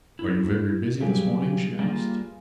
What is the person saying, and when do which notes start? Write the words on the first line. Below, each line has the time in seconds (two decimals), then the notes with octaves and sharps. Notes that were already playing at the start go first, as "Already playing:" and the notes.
"Are you very busy this morning?" she asked.
0.19 E4
1.00 G2 F#3 G4 G#4
1.79 G3 A#3 F4